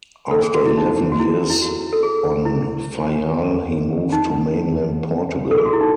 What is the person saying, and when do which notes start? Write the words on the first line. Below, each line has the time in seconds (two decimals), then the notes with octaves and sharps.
After eleven years on Faial, he moved to mainland Portugal.
0.31 A4
0.43 G#4
0.54 F#4
0.66 E4
0.77 D#4
1.12 F#4
1.19 E4
1.50 E4
1.62 F#4
1.93 A4
2.03 G#4
2.45 E4
4.12 D#4
5.51 A4
5.58 G#4
5.66 F#4
5.73 E4
5.81 D#4